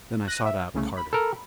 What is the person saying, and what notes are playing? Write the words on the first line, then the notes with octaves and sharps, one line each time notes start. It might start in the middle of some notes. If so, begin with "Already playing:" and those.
Then I sought out Carter.
F#6 A#6 D#7
E5
C2 C#3 A3
B5
A4 A#4